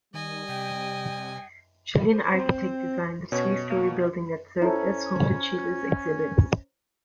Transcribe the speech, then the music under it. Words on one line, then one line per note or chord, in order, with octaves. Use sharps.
Chilean architect designed the three-story building that served as home to Chile's exhibits.
D#3 G3 D#5 G#5
C3 G5
C5
C4
B2 C#4 C#5
A#3
C#4 E4 A4 C5 C#5 A#5